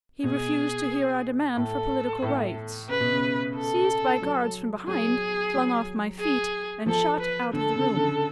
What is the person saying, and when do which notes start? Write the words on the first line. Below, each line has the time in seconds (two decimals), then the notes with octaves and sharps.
He refused to hear our demand for political rights. Seized by guards from behind, flung off my feet, and shot out of the room.
0.24 B2 G#4
1.56 A2 A4
2.22 A2
2.89 C#3 B4
3.00 B2
3.12 C#3
3.55 A4
4.22 F#3
4.87 F#3 G#4
5.55 F#3
6.20 G#4
6.86 F3 A4
7.20 B4
7.53 D3 A4
7.75 C#3
7.96 D3